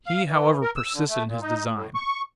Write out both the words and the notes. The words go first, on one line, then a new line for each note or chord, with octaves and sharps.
He, however, persisted in his design.
F5
E3
A#4
E6
D3
A3
A#2
D#4
A2
C#6